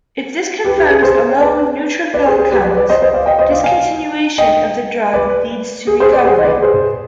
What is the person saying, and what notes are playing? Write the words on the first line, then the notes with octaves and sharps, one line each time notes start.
If this confirms a low neutrophil count, discontinuation of the drug leads to recovery.
G4 B4
G4
G#4
G#4 C5
B4 D5
B4 D5
G#4 C5
G#4 C5
G4 B4
B4 D5
B4 D5
C5 D#5
C5 D#5
D5 F5
D#5 G5
C5 D#5
D5 F5
F5 G#5
D#5 G5
B4 D5
G#4
G#4 C5
B4 D5
G#4 C5
D#5
B4 D5
G#4 C5